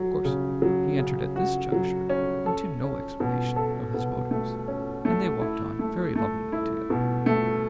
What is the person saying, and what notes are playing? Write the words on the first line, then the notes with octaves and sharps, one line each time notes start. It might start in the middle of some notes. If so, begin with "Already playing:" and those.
Of course, he entered at this juncture, into no explanation of his motives, and they walked on very lovingly together.
Already playing: F#3
C#3
F#3
C#3
F#4
F#3
C#4
A4
C#4
B2
A4
B2
A3
C#4
A3
E4
A3
A3
E4
B2
A3